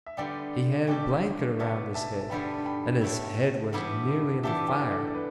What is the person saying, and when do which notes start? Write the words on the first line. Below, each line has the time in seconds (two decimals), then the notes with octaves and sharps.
He had a blanket around his head, and his head was nearly in the fire.
0.06 E5
0.17 D3 G3 B3 D5 G5
0.87 B2 A3 D4 G4 D5 G5
1.59 B2 B3 D4 E5 A5
1.94 E5 A5
2.20 A5
2.30 G2 D3 G3 B3 G5 B5
2.65 G5 B5
3.01 A2 A3 E4
3.73 G2 E3 B3 E4 G4
4.43 E3 B3 D4 G4 E5 A5
4.67 D5 G5
4.91 A4 D5
5.08 A4
5.15 B4